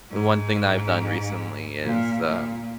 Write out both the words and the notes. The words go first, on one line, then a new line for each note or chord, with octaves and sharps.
The one thing that I've done recently is, um,
G#2
A#2
A#2